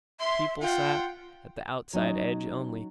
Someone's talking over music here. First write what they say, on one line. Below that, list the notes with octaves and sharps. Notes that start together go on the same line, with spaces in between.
People sat at the outside edge only.
E5 C6
F4 F#5 G5
F#3 C#4 D#4